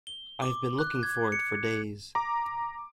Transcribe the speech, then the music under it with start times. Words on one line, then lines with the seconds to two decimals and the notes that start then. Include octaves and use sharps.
I've been looking for it for days.
0.07 G7
0.42 D6
0.79 F#6
1.03 G#6
1.32 C#7
2.15 A#5 D6